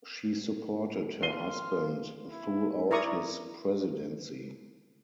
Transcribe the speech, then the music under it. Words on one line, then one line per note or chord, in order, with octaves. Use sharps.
She supported her husband throughout his presidency.
F4 C7 D#7 G7
E4
E4 A#4 D5 A#5 C#6 D#6